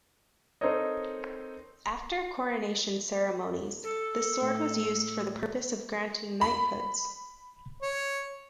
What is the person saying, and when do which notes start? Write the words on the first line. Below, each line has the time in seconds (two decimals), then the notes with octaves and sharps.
After coronation ceremonies, the sword was used for the purpose of granting knighthoods.
0.61 C4 D#4 A4 A#4 C#5 D#5
3.83 A4
4.41 A2
6.41 B5
7.82 C#5